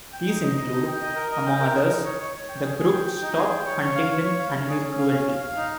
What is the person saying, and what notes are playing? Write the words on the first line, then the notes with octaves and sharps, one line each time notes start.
These include, among others, the group Stop Huntingdon Animal Cruelty.
G5
D#4
D#5
D#5
D#4
G5
D#5
A#4
D#5
G5
A#4
D#4
D#4
C#5
C#5
C#5
G5
G#4
G#4
G5
G5
D#4
G#4
G5
C#5
C#5
F5
C#5
C#5
F5
C#5
G#4
C#4
F5
C#4
F5
F5
D#4